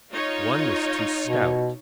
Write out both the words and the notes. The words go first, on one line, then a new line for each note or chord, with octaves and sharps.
One was too stout.
D#4 F4 C#5
B2